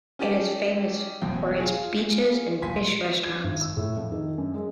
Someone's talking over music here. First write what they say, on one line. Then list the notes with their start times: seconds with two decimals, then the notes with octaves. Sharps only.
It is famous for its beaches and fish restaurants.
0.19 C#4 D#4 G4 A4 D5 G5
1.21 E1 A1 F#2 B2 G5
1.60 F4 G#4
2.62 D#1 B1 A#2 G#5 C6 B6
3.24 G#6
3.44 G#1
3.61 E6
3.77 A2
3.97 F2
4.12 D#3
4.38 F#2
4.54 G#3